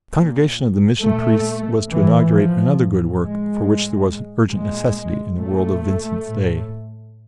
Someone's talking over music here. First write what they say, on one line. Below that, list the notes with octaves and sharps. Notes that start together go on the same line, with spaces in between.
The Congregation of the Mission Priests was to inaugurate another good work for which there was an urgent necessity in the world of Vincent's day.
A#2
A#2 A3
A2 E3
F3
A2
G#3
A2
A#2 G#3
A#2 A3
A2